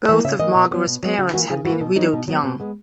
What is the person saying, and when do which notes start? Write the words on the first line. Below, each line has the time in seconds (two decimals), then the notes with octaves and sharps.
Both of Margaret's parents had been widowed young.
0.09 E3 A#3 E5
0.25 C#3 E5
0.39 E3 A#3 D#5
0.55 B2
0.71 F#3 B3
0.86 B2
1.03 F#3 B3
1.18 C#3 F#4
1.34 E3 A#3 F#4
1.50 C#3 G#4
1.65 E3 F#4
1.70 A#3
1.81 B2 D#4
1.96 F#3 B3 D#4
2.13 B2
2.28 F#3 B3
2.43 B2
2.60 G#3 B3